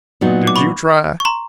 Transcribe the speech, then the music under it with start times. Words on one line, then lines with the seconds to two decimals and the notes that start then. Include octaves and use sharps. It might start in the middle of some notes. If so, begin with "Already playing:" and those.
Did you try?'
0.21 A#2 F#3 B3 D#4 F#4
0.47 D6
0.56 B5 C#6
1.20 C#6
1.25 A#5 C6